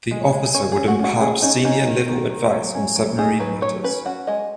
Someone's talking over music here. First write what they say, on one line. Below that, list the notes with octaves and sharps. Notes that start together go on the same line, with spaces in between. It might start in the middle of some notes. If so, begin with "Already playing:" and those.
The officer would impart senior level advice on submarine matters.
G#3
G#3
C#4 C#5
G#4
C#4
F#4
C#4 F#4
C#4 G#4
C#4 D#4
C#4 D#4
D#3
D#3
D#3
F#3
C#4
F#3
D#4 G#4
F#3 B4
F#3 C#5
C#4 B4
C#4 F#4
G#3 D#5